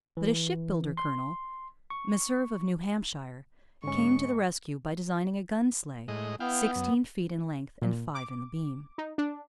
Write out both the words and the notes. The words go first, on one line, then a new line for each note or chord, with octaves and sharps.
But a ship-builder colonel, Meserve of New Hampshire, came to the rescue by designing a gun-sleigh, sixteen feet in length and five in the beam.
E3
C6
C#6
G#2 D3 C#4 C#6
A2 G#3 D#5
B3 E4 F5 G5
F#2
A#2
D6
D#4
D4